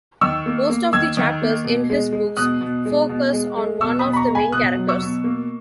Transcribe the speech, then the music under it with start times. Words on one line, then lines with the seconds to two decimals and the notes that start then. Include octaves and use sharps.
Most of the chapters in his books focus on one of the main characters.
0.21 D#3 C#6 E6
0.46 A#3
0.69 A#3
0.93 D#3 E6 G#6
1.17 D#3
1.42 A#3
1.65 B2
1.90 G#3
2.12 G#3
2.37 B2 D#6 F#6
2.61 B2
2.85 G#3
3.09 B2
3.33 G#3
3.57 G#3
3.81 B2 C#6 E6
3.99 B5 D#6
4.05 B2
4.13 B5
4.16 A#5 C#6
4.29 G#3
4.35 G#5 B5
4.52 B2 D#6 F#6
4.77 F#3
4.89 C#6 E6
5.01 B2
5.24 A#3